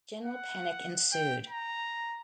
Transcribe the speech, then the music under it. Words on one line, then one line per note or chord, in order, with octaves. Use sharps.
General panic ensued.
F#5
G5
A#5